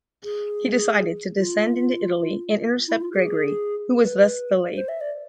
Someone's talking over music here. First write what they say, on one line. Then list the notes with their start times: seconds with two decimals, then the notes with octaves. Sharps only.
He decided to descend into Italy and intercept Gregory, who was thus delayed.
0.24 G#4
1.37 F4
2.88 E4
3.00 F4
3.13 G#4
4.01 B4
4.76 C5
4.89 E5
5.01 D5